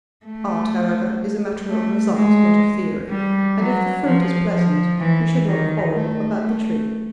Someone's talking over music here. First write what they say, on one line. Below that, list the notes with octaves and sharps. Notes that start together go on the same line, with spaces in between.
Art, however, is a matter of result, not of theory, and if the fruit is pleasant, we should not quarrel about the tree.
A3
A3
G#3
G3
F#3
F3
F3
E3
D#3
A3
A3